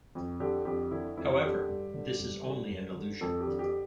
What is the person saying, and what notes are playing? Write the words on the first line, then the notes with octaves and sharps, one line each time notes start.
However, this is only an illusion.
F2
D3 G4
F2 G4
D3 E4
F2 E4
D3 G4
G2
D3
G2
D3
G2
D3
F2 A4
G4
D3
G4